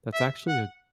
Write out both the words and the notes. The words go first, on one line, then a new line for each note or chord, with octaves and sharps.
that's actually a
E5
F#5